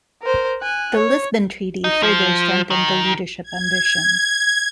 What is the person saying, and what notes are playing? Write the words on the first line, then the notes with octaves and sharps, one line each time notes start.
The Lisbon Treaty further strengthened the leadership ambitions.
A#4 C5
G#5 F#6
C#5
D#4
F3
D#3
G#6